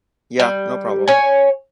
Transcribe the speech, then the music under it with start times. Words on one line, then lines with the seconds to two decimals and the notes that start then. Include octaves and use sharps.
Ya! No problem.
0.40 G3
1.08 C#5 G#5